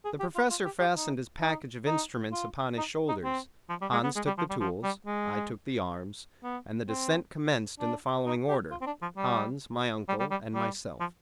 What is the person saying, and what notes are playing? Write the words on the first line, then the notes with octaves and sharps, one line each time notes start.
The Professor fastened his package of instruments upon his shoulders; Hans took the tools; I took the arms: and the descent commenced in the following order; Hans, my uncle, and myself.
G#4
G4
F4
F4
G4
G4
D#4
D#4
D#4
F4
D#4
D#4
C4
F3
G3
G#3
B3
G#3
G3
F3
G3
F3
G3
G#3
B3
C4
D4
D#4
G4
F4
C4
D4
F3
G3
G3
G3
G3
G3
F3